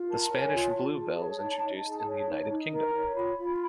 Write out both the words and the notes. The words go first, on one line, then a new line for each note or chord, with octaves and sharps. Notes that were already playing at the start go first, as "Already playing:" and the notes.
The Spanish bluebell was introduced in the United Kingdom.
Already playing: F4
A#4 A5
C#5
G#5
F4
A5
F4
G#4
C#5
D#4
D#4
G#4
C#5
D#4
D#4
A#4 A#5
C#5
F4 B5
F4